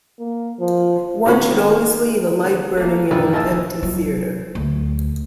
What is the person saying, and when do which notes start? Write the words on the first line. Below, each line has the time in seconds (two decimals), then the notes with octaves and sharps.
One should always leave a light burning in an empty theatre.
0.19 A#3
0.60 F3
1.26 A2 D3 C4 C#4 F#4 B5
1.51 D#3
2.44 D3
2.77 A3 A#3
3.11 A#1 D#3 D4 E4 B4 D5
3.33 D#2 E4 D#5 G#5 A5 E6
3.83 F#3
4.55 D2